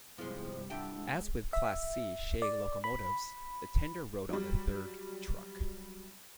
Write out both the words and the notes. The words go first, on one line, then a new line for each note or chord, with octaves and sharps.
As with Class C Shay locomotives, the tender rode on the third truck.
G2 C3 F3 G3 G#3 B3 E4 G#4
F2 D4 E4 G4 F#5 A5 E6
G#3
E5
D5
B5
F#3 G3